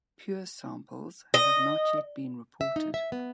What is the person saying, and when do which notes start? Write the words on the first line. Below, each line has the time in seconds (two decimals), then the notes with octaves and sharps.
Pure samples have not yet been reported.
1.34 D#5
2.61 E5
2.76 D#4
2.94 E5
3.12 B3